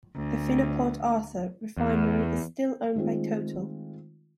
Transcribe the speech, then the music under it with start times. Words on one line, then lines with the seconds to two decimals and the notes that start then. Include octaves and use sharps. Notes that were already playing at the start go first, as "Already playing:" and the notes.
The Fina Port Arthur refinery is still owned by Total.
0.16 D2
1.77 E2
2.95 D#3 G#3 A3 C4 F4